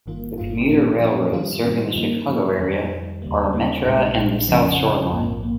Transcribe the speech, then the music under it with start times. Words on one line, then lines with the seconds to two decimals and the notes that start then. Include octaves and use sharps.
The commuter railroads serving the Chicago area are Metra and the South Shore Line.
0.06 G1 G2 D#3 A#3 F4
0.38 G1 G2 D#3 A#3 F4
0.69 A#2 F3 A#3 C#4 F4
1.01 A#2 F3 A#3 C#4 F4
1.32 G2 D#3 G3 C4 F4
1.64 G2 D#3 G3 C4 F4
1.95 G2 F3 A#3 D#4
2.27 G2 F3 A#3 D#4
2.59 F2 D#3 G3
2.91 F2 D#3 G3
3.22 D#2 C#3 G3 A#3
3.53 D#2 C#3 G3 A#3
3.85 A#1 A#2 G#3 D#4
4.17 A#1 A#2 G#3 D#4
4.49 F2 C#3 F3 C4
4.80 F2 C#3 F3 C4
5.12 A#1 G#2 F3 A#3
5.43 A#3